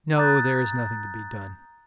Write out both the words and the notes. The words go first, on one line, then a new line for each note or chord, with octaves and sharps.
No, there is nothing to be done.
A#5 D#6 F#6 G6 A6